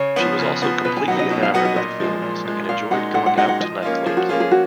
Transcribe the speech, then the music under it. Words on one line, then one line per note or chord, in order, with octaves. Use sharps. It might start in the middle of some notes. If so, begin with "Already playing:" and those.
She was also completely enamored of the films and enjoyed going out to nightclubs.
Already playing: C#3 C#5
F3 B3
C#3
F3 B3
B2 B4
G#5
F#3 B3 D#4 F#4 F#5
D#5
B2 D#5
F5
F#3 B3 D#4 F#4 F#5
D#5
A#2 D#5
F3 G#3
A#2
F3 G#3
A#2 F5
G#3 D#4 F#4 F#5
A#2 F#5
F#5
G#3 D#4 F#4 F#5
F#5
F3 D#5
A#3 C#4 F4
F3 G#4
F#4
A#3 C#4 F4 G#4
G#4
F#4